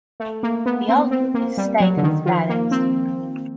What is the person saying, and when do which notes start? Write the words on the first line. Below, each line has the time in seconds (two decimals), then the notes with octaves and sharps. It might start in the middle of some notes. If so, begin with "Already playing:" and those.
The outlook is stated as balanced.
0.20 A3
0.43 A#3
0.66 B3
0.89 C4
1.11 C4
1.34 A#3
1.57 G3
1.80 F#3
1.97 D3
2.03 D#3
2.26 F3
2.49 A#3
2.71 C4